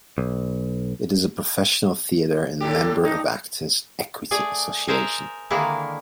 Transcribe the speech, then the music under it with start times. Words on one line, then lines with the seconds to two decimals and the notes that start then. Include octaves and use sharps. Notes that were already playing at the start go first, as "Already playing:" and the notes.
It is a professional theatre and member of Actors' Equity Association.
0.18 B1
2.61 A2 D3 G4
3.04 G2 D#4
4.31 A3 G#4 D5
4.88 G#4 A#4 C5 E5 A5 A#5
5.51 D3 D#3 G#3 A#3 D4 E4